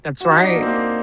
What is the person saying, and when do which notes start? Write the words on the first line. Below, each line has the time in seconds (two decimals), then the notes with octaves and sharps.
That's right.
0.21 F#4
0.32 D#4
0.43 D4
0.55 A#3
0.62 C4
0.66 A#3